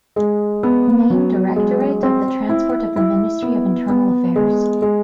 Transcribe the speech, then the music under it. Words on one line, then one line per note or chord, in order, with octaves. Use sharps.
Main Directorate of the Transport of the Ministry of Internal Affairs.
G#3
B3
F#3
G#3
C4
E4
E4
B3
B3
G#3
G#3